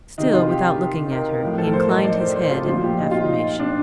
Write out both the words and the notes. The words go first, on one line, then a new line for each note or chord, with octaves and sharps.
Still without looking at her, he inclined his head in affirmation.
C3 D#3 D#4
F4
G4
A#4
A2 F3
A4
A#4
C5
D#5
D5
C5
C5
F4
A#2 F3 F4
G4
D#4
F4
D#4
D4